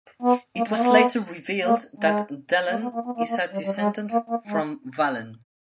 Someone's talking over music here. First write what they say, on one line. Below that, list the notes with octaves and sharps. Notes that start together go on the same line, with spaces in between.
It was later revealed that Delenn is a descendant from Valen.
B3
A#3
G#3
A#3
B3
A#3
G#3
A#3
B3
A#3
B3
A#3
A#3
G3
G3
G#3
A#3
A#3
G#3